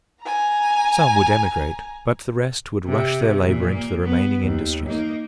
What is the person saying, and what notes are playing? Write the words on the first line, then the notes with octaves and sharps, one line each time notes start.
Some would emigrate, but the rest would rush their labour into the remaining industries.
G#5 A#5
C3
A#2 E3
A#3
B3
D#2
A#3 D#4